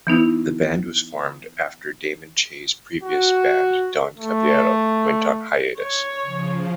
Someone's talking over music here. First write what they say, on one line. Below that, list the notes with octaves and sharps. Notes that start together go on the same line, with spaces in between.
The band was formed after Damon Che's previous band Don Caballero went on hiatus.
E3 B3 D#4 E4
F#4
A3
C#5
C#3 F3